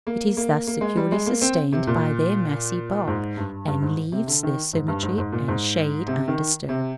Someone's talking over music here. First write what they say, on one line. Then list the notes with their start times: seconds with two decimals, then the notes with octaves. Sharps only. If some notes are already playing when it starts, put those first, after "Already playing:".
It is thus securely sustained by their massy bulk, and leaves their symmetry and shade undisturbed.
0.07 A#3
0.37 A#3
0.67 A#3
0.81 G#3
0.97 G3
1.12 G#3
1.26 A#3
1.41 C4
1.72 C3
1.87 A#2
3.08 G#2
3.37 G2
3.68 G2
3.82 G#2
4.12 C3
4.27 D3
4.43 D#3
4.73 G#2
4.88 G2
5.03 G#2
5.18 G#2
5.32 A#2
5.48 G#2
6.08 C3
6.28 D#3
6.69 C3